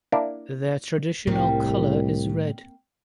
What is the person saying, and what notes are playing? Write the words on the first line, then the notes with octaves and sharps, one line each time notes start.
Their traditional colour is red.
A#3 D4 E4 A#4
C2 A2 G3 A#3 C4 C#5